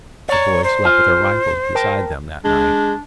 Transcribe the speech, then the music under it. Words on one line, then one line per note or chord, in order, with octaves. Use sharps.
The boys slept with their rifles beside them that night.
C#5 D5 A#5
C5
F4 G#5
A#4 G5 A5
G#3 D4